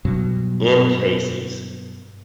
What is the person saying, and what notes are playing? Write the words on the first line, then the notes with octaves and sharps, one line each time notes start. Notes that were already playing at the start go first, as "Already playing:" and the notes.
in Casey's,
G2 B2 F#3